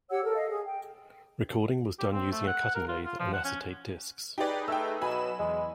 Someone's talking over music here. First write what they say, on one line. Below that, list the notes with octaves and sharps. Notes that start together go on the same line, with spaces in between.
Recording was done using a cutting lathe and acetate discs.
G4 C#5 F#5 E6
A4 A#4
D#5 F5
G#4
G5
G4
C4
A3
F#5
A#4
F4
F4
F3
F#5
C#4
D#4 G4 G#4 B4 D5
A3 G5 E6
B2 F#3 G#5 B5 E7
E2 G#3